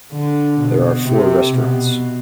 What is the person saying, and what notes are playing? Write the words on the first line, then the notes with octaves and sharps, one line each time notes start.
There are four restaurants.
D3
B2
C3
B2